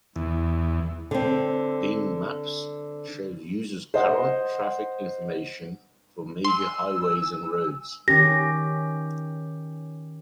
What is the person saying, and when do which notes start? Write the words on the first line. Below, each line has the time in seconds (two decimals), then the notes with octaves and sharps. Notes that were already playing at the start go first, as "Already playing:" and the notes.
Bing Maps shows users current traffic information for major highways and roads.
0.16 E2
1.11 D3 C4
3.94 C5 D#5 F#5
6.44 G#5 C6 E6
8.08 D#3 C#4 G4 A#6